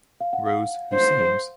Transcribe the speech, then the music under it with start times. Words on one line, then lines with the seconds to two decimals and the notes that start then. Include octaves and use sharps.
Rose who seems.
0.21 F5
0.33 F#5
0.46 F5
0.94 C5